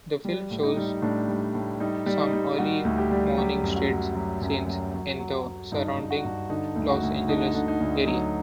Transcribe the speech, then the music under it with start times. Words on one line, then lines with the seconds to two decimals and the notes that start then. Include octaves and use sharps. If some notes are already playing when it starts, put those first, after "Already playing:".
The film shows some early morning street scenes in the surrounding Los Angeles area.
0.25 G3
0.51 A2
0.63 D#4
0.77 G3
1.02 A2 D4
1.28 G3
1.55 A2
1.80 G3 D#4
2.06 G3
2.20 D#4
2.33 G3
2.59 G3 F#4
2.85 D2
2.98 G4
3.11 G3
3.37 F#3 G4
3.63 F#2
3.76 F#4
3.90 F#3
4.16 F#3
4.41 F#2
4.68 F#3
4.94 F#3
5.19 F#3
5.46 F#3
5.72 G2 D#4
5.98 G2
6.11 F#4
6.24 G2
6.49 D3 D#4
6.76 D2
6.90 F#4
7.02 D2
7.28 D3 D#4
7.54 D3
7.68 D#4
7.80 D2
8.06 F#3 D#4